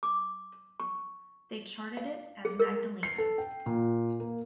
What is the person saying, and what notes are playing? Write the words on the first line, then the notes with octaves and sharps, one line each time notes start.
They charted it as "Magdalena".
D6
C#6
F5
G#4
A#4
C7
A4
G5
A#2
A#3